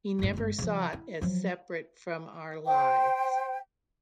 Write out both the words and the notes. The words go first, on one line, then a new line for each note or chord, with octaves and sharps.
He never saw it as separate from our lives.
F#1 G#2
G1 G#3
C#3 F3
E4
F3 F#3
C5 G5